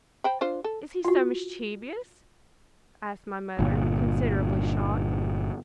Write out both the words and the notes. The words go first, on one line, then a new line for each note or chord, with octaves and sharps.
'Is he so mischievous?' asked my mother, considerably shocked.
C5 G5 B5
D4 F4 C5
A4
F4 F#4
G1 A#2